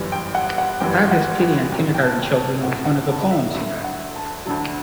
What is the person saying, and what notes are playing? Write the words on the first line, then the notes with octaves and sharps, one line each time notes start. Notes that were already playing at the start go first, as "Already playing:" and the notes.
"God has pity on kindergarten children" was one of the poems he read.
Already playing: G1 F#2 E3 G3
G5
F#5
F#5
G1 F#2 E3 G3 G5
F#5
F#5
B1 A2 F#3 G5
G5
A5
G5
A5
B1 A2 F#3 F#5
F#5
A5
E5
D2 D3 F#3 E5
F#5
A5
D2 D3 F#3 A5